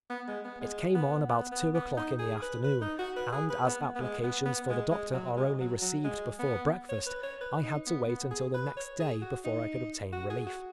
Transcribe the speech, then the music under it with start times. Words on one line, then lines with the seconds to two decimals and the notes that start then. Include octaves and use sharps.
It came on about two o'clock in the afternoon, and as applications for the doctor are only received before breakfast, I had to wait until the next day before I could obtain relief.
0.10 B3
0.28 G#3
0.45 B3
0.61 G#3
0.95 B3
1.29 B3
1.52 B3
1.75 B3
1.97 D#4
2.19 G#4
2.42 B4
2.64 B4
2.81 D#4
2.99 F#4
3.16 B4
3.32 G#4
3.50 B4
3.67 B3
3.96 B3
4.01 G#3
4.24 B3
4.46 B3
4.69 G#3
4.92 G#3
5.14 F#3
5.36 G#3
5.60 F#3
5.82 F#3
6.04 G#3
6.39 B3
6.89 C#5
7.06 B4
7.23 C#5
7.41 B4
7.64 D#4
7.86 B3
8.09 B3
8.31 G#4
8.54 B4
8.77 C#5
9.00 G#4
9.22 F#4
9.45 D#4
10.13 F#4
10.30 G#4
10.46 F#4